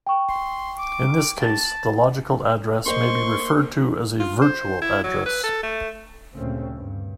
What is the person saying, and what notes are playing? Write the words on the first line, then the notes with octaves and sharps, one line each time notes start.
In this case, the logical address may be referred to as a virtual address.
G5 C#6
C6
D6
A5
A#3 C5 D#5 C6 C#6
F4
C5
E4
F#3
B4
A4
A3
D2 A#2 C#3 A3 C4 C#4
G2